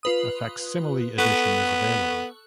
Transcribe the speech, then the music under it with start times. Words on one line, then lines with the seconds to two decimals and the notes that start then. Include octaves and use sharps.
A facsimile edition is available.
0.03 F4 B4 D#6
1.18 B3 A4 C#6 F#6